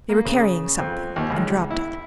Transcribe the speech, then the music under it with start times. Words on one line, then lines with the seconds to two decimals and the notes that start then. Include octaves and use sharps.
They were carrying something, and dropped it.
0.09 A#3
0.25 C#3
0.79 F2
1.16 D#2
1.30 C#2
1.71 E4